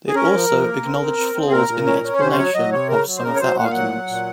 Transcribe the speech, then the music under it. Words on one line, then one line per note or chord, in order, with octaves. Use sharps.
They also acknowledged flaws in the explanation of some of their arguments.
G#4
C#4 A#4
F3
F3
A#3
C4
C4
C4
C4
G#4
A#2 A#4
A#2
C#4
C#4
C#5
C3 C5
C5
F#3 C#5
F#3 D#5
C3 C#5
C#3 A#4
F#3
C5
C#3 A#4
C#5
F#3 C5
A#2 F#5
F5
F#3 F#5
F#3
A#2